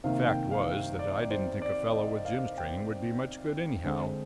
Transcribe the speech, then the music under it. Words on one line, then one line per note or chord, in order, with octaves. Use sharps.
The fact was that I didn't think a fellow with Jim's training would be much good, anyhow.
C3 D#3 A#3 F5
G5
F5
D5
C5
D5
D#5
F5
G5
D3 G#3 C4